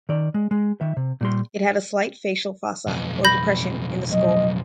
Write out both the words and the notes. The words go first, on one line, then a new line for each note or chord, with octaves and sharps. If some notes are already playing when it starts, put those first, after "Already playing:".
It had a slight facial fossa, or depression, in the skull.
D#3 D5
G#3
G#3
D#3 E5
C3
A#2 G3 C6
B1 F2
B5 G6 A#6
F#3 D#5